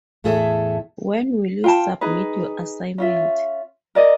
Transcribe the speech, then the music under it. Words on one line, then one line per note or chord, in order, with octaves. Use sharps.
When will you submit your assignment?
E2 A2 E4 G#4 A4 E5
F4 G5 A5
D#4 G#4 B4
C#4 F4 E5
A#4 D5 D#5